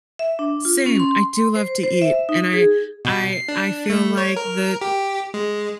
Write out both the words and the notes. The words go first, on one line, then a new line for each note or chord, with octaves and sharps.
Same. I do love to eat, and I I I feel like the
E5
D4
F4
C#4
C6
C5
C5
E5
D#4
G#4
B2
C7
D4
A3
C#5
A#4
G4
G#3